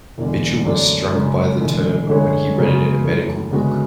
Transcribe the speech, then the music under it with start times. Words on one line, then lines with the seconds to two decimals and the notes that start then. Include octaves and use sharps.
Mitchell was struck by the term when he read it in a medical book.
0.18 E1 E2 D3
0.65 F#2 D3 A3 D4
1.13 F#2 C#3 G#3
1.60 E1 E2 D3 A3 E4
2.08 D2 D3 G#3 C#4
2.56 F#2 C#3 G#3 B3 F#4
3.04 F#2 E3 A3
3.51 D2 C#3 G#3 B3 F#4